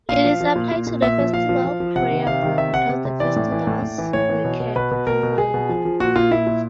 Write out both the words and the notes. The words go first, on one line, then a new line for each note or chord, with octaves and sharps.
It is applied to the festival prayer book because the festivals recur annually.
A#2 F5
F3
F3
A#2
A#2
A#2
A#2 E5
F3
A#2 F5
F3
F3
F3
C3 F#5
D#3
C3 F5
D#3
C3 E5
C3 F#5
C3
C3
E3 D5
A2
E3
A2
A2
E3
A2 C#5
E3
B2
B2
B2 B4
B2
B2 A#4
B2
B2 G#4
B2
F3
F3
A#2 F#4
A#2 F4
A#2 E4
A#2